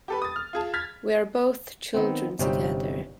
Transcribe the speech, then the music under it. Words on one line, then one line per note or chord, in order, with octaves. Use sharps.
We are both children together.
G4 A4 B4
D#6 A6
F6
F4 G#4 A5
F6 G#6 A6 B6
D#3 B3 C4
G1 C3 G3 C4 C#4 D#4